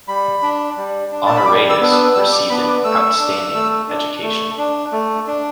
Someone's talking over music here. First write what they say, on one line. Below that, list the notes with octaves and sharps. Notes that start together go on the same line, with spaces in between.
Honoratus received an outstanding education.
G3 B5
D4
G3
D4
A5
B5
G3 D6
E6
B3 D4
E6
G3 E6
D6
B3 D4 B5
D6
A3 E6
D4
A3
D4
A3
D4
A3
D4